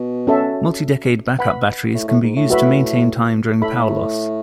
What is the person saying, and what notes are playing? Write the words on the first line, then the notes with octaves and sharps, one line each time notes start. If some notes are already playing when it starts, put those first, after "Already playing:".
Multi-decade backup batteries can be used to maintain time during power loss.
Already playing: B2
C#4 F#4 A4 E5
B4 F#5 B5
A2
A2
G#2
A2
F#4 B4 E5 B5
A2 A4 E5 B5